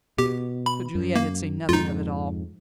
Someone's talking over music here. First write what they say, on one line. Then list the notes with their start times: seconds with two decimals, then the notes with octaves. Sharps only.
But Juliette had seen nothing of it all.
0.19 B2 G4
0.66 B5
0.95 F#2
1.15 A#3
1.69 F2 G#2 D#4 F4